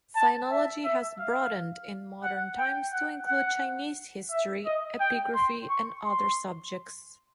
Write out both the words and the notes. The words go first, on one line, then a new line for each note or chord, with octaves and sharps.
Sinology has broadened in modern times to include Chinese history, epigraphy, and other subjects.
A5
E5
E5
F5
F#5
G5
F#5
F#5
E5
D#5
G5
C6
C#6
C6